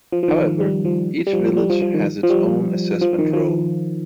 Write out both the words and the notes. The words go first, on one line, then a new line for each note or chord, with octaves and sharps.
However, each village has its own assessment roll.
F3
F3
D#3
F3
G3
F3
G3
F3
G3
F3
F3
D#3
F3
G3
F3
D#3
F3